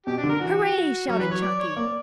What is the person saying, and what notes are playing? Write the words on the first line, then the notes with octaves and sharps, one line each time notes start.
"Hooray!" shouted Chunky.
B2 G4
D4
D3
A#4
E3 F#4
F#3 C#4
E3 B4
F#3 C#5
D5
C#5
A#3 D5